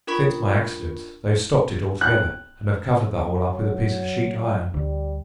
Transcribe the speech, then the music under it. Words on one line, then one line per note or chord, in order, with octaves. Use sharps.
Since my accident they have stopped it altogether, and have covered the hole up with a piece of sheet iron. . . .
D4 F4 A#4 B5 C#6
F#6
F#3
D2 G3